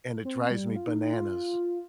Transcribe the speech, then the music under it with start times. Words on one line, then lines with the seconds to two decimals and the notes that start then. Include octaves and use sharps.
and it drives me bananas.
0.25 C4
0.51 G3
0.76 F4
0.87 D#4
1.00 D#4
1.13 F4